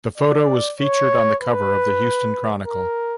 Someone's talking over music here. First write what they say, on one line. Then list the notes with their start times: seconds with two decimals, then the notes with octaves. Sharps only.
The photo was featured on the cover of the "Houston Chronicle".
0.18 D5
0.80 C#5
1.41 B4
2.66 A#4